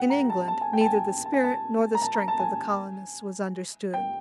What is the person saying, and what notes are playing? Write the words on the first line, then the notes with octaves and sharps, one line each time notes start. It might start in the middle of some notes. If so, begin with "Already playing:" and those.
In England neither the spirit nor the strength of the colonists was understood.
Already playing: F#5 G5
A#5
A5
A5
G#5
G5
A5
G#5
A5
G#5
A5
A#5
A5
A#5
A5
G#5
G5